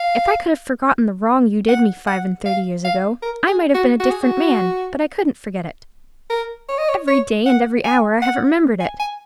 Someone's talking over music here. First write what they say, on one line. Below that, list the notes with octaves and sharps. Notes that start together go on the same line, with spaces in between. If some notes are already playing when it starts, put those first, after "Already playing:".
If I could have forgotten the wrong you did me five-and-thirty years ago, I might have been a different man: but I couldn't forget it. Every day and every hour I have remembered it.
Already playing: F5
F#5
F#5
F5
F5
A#4
G#4
F#4
F#4
G#4
F#4
A#4
C#5
D#5
C#5
C#5
F#5
G#5
F#5
G#5
G#5